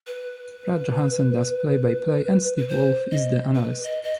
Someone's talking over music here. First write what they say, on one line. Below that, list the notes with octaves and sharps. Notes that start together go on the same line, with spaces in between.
Brad Johansen does play-by-play and Steve Wolf is the analyst.
B4
B4
C5
D#5
B4
D#5
D#5